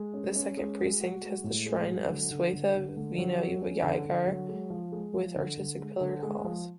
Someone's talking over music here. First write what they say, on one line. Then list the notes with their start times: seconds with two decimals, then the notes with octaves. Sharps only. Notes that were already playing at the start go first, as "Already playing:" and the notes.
The second precinct has the shrine of Swetha Vinayagar with artistic pillared halls.
Already playing: G#3
0.14 C#4
0.36 C#4
0.57 G#3
0.79 F#4
1.01 F#4
1.22 G#3
1.44 A2
1.66 G#3
1.87 F#3
2.10 D3
2.31 D3
2.53 D3
2.75 D3
2.97 D3
3.18 F#3
3.40 F#4
3.61 C#4
3.83 D3
4.05 D3
4.27 F#3
4.49 G#3
4.70 F3
4.92 G#3
5.14 F3
5.36 D3
5.57 D3
5.79 G#3
6.01 D3
6.23 G#3
6.44 F3